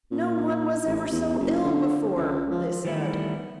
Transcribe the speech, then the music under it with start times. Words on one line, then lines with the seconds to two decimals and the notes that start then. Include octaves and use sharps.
"No one was ever so ill before," they said.
0.11 A#2
0.86 A1
1.12 E2
1.39 F#1
1.64 D3
2.16 C#2
2.51 F3
2.85 D#3 E3 G3 A3 B3 E4